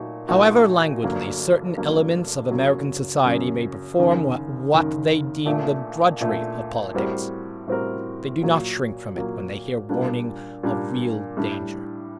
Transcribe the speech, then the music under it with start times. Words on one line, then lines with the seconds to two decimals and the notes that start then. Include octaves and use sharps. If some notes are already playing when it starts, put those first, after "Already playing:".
However languidly certain elements of American society may perform what they deem the drudgery of politics, they do not shrink from it when they hear warning of real danger.
Already playing: A#2 F#3 A3 D#4 F#4
0.29 A#2 F#3 A3 D#4 F#4
1.03 G1 G2 F#3 A#3
1.77 G1 G2 F#3 A#3
2.51 F#1 F#2 F#3
3.25 F#1 F#2 F#3
3.99 F#1 F#2 D#3
4.73 F#1 F#2 D#3
5.46 A#1 A#2 A3
6.20 A#1 A#2 A3
6.94 A2 G3 C4 F#4 A#4
7.67 A2 G3 C4 F#4 A#4
8.42 A#2 F#3 A#3
9.16 A#2 F#3 A#3
9.89 A#2 G3 A#3 D4
10.63 A#2 G3 A#3 D4
11.37 A2 G3 D4 G4